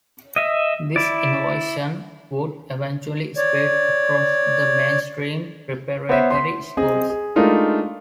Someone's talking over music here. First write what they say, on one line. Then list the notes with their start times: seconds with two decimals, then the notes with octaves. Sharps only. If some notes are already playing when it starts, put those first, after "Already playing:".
This innovation would eventually spread across the mainstream preparatory schools.
0.36 D#5 E5
0.96 E4 D5
3.37 C#5 D5
6.09 B3 C5 C#5 E5
6.30 C6 B6
6.77 C4 G#4 D#5
7.10 G#4
7.36 G#3 A3 D4 D#4 F4 A#4